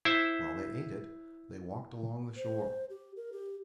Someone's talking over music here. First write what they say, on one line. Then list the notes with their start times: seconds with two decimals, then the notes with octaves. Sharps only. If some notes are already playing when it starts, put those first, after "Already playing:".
While they ate it, they walked along the shore.
0.05 E4 C5 E5
2.36 C5
2.90 G4
3.17 A#4
3.33 G4